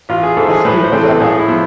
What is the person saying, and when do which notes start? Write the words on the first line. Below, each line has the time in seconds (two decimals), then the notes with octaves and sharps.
Escape as I like.
0.09 A1 F4
0.23 G#4
0.37 G#2 E3 A4
0.51 G#4
0.65 A2 B4
0.84 C5
0.92 E3 A3 C4
1.01 A4
1.20 A2 G#4
1.39 E4
1.48 F3 B3